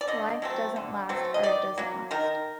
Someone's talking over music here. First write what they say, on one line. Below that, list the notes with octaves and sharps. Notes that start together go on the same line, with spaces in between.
Life doesn't last; art doesn't last.
D5
D3 D#5
F#3 A3 C4
D3
F#3 A3 C4
D#5
D#3 D5
F#3 A#3
D#3 A#4